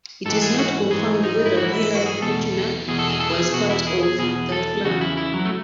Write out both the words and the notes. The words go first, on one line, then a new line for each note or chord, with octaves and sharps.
It is not confirmed whether Villa Bouchina was part of that plan.
G#2 E3 A4
G#4
F#4
G#2 E3 G#4
D#4
E4
G#2 E3 F#4
E4
F#4
G#4
E2 B2 A4
E2 B2 G#4
A4
G#4
A4
G#4
E2 B2 F#4
E4
G#4
G#4
E2 B2 G#4
A4
E2 C#3 E3 F#4
E4
E4
F#3
A3